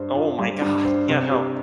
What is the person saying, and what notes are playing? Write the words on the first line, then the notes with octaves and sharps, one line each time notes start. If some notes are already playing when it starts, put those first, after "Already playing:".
Oh my god, yeah, no.
Already playing: G2 C5
F4
G3
G2
C5
C3
G4